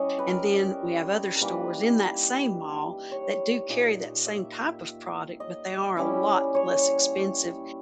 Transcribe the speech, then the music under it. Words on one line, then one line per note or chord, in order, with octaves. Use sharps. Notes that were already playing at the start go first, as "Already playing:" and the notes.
And then we have other stores in that same mall that do carry that same type of product, but they are a lot less expensive,
Already playing: G3 C#4 E4 C#5 D#5
B4
A#4
A#4
E3 G3 A#3 D#4 B4
C#5
A#2 A#3 D#4
E5
D#5
G3 C#4 E4
C#5